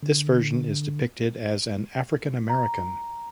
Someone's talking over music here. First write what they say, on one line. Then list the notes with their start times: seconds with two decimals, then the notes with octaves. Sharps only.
This version is depicted as an African American.
0.03 D3
2.49 A#5